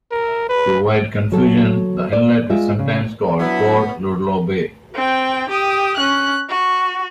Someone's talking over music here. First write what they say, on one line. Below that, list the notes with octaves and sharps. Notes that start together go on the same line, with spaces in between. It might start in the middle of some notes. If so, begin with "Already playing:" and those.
To avoid confusion the inlet is sometimes called Port Ludlow Bay.
A#4
B4
F#3 A4
D5
G#3 F4 E5
C#3
F#3 B3 D4 E4
C4 G5
G4 D#6
C#4 F#6
F#4